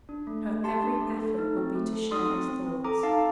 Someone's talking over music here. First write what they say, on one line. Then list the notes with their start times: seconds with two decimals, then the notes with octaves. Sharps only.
Her every effort would be to share his thoughts.
0.09 D4
0.27 A3
0.46 A3
0.64 G4 A5 C6
0.83 D4
1.01 A3
1.19 A4
1.38 D#4
1.57 C4
1.75 A3
1.93 A4
2.11 D#4 C6 D#6
2.30 C4
2.48 C4
2.67 C4
2.85 A4 A#5 D6
3.03 D#4 F5 A5